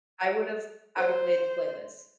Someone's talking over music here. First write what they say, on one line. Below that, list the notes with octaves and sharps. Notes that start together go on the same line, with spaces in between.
I would've I would've played the playlist.
C5